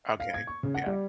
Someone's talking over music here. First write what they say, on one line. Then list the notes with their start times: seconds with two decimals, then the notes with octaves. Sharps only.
Okay, yeah.
0.20 F5
0.34 G#6
0.47 C#6
0.63 C#3
0.74 F#5
0.86 G3